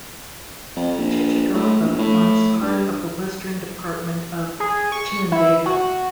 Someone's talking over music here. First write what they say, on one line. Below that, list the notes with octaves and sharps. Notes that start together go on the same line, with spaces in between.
Chichigalpa forms part of the Western department of Chinandega.
F2
A#1
A2
A#1
A2
G2
G#4
C#6
E4
F#4